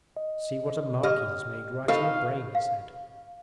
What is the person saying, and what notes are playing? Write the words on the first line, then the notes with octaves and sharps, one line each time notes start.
'See what a mark he has made right in the brain,' he said.
D#5
G4 D#5 F6
D#4 A4 B4 F5 C#6
F5